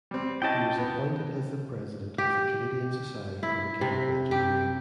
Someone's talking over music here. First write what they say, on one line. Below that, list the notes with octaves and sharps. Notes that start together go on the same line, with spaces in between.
He was appointed as the President of the Canadian Society for Mechanical Engineering.
G3 C4
C#4 E4 D#5 G5 A5
B3
G4
E4
C3
G4